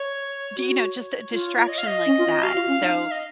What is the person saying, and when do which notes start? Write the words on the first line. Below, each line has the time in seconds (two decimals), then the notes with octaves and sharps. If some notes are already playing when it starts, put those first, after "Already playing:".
do you know, just a distraction like that. So,
Already playing: C#5
0.58 F#4 C#5
1.32 F4
1.68 D#5
1.78 F5
1.87 D#5
2.06 C#4
2.18 F4
2.43 F#4 F5
2.55 F4
2.67 C#4
2.80 D#4
3.11 D#5